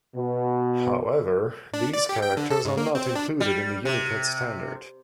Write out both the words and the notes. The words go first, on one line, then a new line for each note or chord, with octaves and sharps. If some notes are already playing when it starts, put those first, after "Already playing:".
However, these characters are not included in the Unicode standard.
B2
D4
D5
G4
G5
D3
A4
G#2
A#3
C4
D4
G3
C3